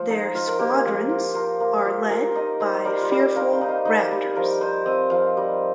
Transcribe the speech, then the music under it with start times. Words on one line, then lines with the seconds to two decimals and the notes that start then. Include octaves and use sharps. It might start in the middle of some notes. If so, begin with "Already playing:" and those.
Their squadrons are led by the fearful Raptors.
Already playing: F3 C5
0.09 D#4 D#5
0.35 F4 C5
0.47 A#4
0.59 A#3 G4
0.72 A#4
0.85 F3
1.09 F4
1.34 F4 A#4
1.60 A#3
1.85 F4 G4
2.10 F4 A#4
2.35 D#4 D#5
2.60 D#4 C5
2.85 G3 A#4
3.02 F4
3.11 G3
3.19 G4
3.36 D#4 F5
3.52 C5
3.61 D#4
3.68 F5
3.85 D#4 D#5
4.02 G4
4.12 G3
4.35 F3 A#4
4.61 D#4 C5
4.86 C4 D#5
5.11 F3 F5
5.37 G3 D#5